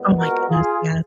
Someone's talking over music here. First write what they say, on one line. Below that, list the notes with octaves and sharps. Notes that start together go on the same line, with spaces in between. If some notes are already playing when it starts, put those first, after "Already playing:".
Oh, my goodness, yes.
Already playing: A#2 G#3 B3
F#4 A#4
F4 G#4